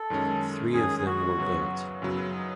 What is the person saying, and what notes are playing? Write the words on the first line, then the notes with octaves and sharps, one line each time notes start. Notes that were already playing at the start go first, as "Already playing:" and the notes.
Three of them were built.
Already playing: A4
F#2 D#3 G#3 C#4
F#2 D#3 G#3 C#4 G#4
G#4
F#4
F#2 C#3 F#3 B3
F#2 C#3 F#3 B3 E4
D#4